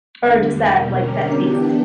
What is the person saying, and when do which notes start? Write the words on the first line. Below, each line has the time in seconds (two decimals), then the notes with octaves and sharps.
or just that, like, that taste.
0.21 E2 D3 G3
0.56 B2 G3 A#3
0.91 D3 G3 C#4 G4 A#4
1.28 E3 B3 D4 G4